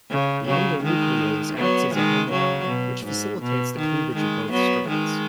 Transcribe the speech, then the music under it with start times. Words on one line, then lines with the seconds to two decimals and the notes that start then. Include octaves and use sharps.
The endonuclease acts as a homodimer, which facilitates the cleavage of both strands.
0.10 C#3
0.47 C#3 F#3
0.83 D#3 G#3
1.57 F#3 B3
1.94 D#3 G#3
2.31 C#3 F#3
2.68 B2
3.05 G#2
3.41 B2
3.78 D#3
4.14 D#3 G#3
4.51 F#3 B3
4.88 D#3 G#3